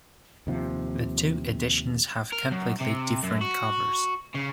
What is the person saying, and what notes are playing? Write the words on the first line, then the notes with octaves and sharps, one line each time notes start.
The two editions have completely different covers.
D#2 C3 F3
A#4
F#2
C3
F#2
F#4
C#3